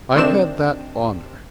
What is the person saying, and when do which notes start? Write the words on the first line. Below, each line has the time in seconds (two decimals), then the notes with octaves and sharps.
I had that honour.
0.16 D2 C3 D#3 C4 D4 E7